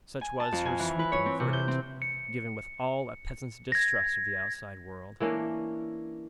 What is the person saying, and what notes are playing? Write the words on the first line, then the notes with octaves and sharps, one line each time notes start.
Such was her sweeping verdict, given with all a peasant’s distrust of the outside world.
G#5
A5
F2
G#5
E3
B4
C#5
C4
C3
G6
C4
C#7
G#6 A#6
E3 A#3 C#4 D4